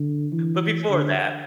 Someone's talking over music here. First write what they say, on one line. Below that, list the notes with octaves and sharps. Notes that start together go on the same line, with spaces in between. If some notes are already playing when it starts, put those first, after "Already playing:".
but before that,
Already playing: D3
E3
D3